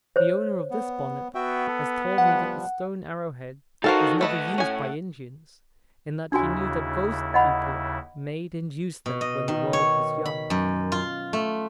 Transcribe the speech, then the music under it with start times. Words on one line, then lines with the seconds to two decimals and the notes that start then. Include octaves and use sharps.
The owner of this bonnet has told me that the stone arrow-head was never used by Indians, and that he knew that ghost-people made and used them when the world was young.
0.16 C5 C#5
0.71 B3
1.35 B3 F#4 E5 G5
1.67 A4
2.18 F3 G3 F#5
3.84 D#4 F#4 A4 A#4 C5 F5 A5
4.21 D2 A3 B4 D#5 F#5 A5
4.58 A2 C#4 G#5
6.32 D#2 C#3 D4 E4 F#4 G#5
7.34 D#5 F#5 B5
9.06 B2
9.21 D#5
9.48 D#3
9.73 C#5
10.26 B5
10.50 F#2
10.92 F4
11.33 A3